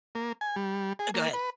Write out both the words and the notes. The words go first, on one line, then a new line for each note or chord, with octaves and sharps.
uh, go ahead.
A#3
G#5
G3
G#4
A#3
B4